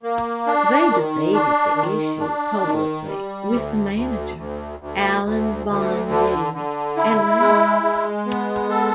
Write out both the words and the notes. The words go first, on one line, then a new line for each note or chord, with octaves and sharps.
They debated the issue publicly with the manager, Alain Bondue, and left.
A#3
D4
D#3
D4
D#3
D4
D#3
G3
D2
D2
D2
D2
D2
D2
D3
D3
E4
G#3
G#3
B3
A4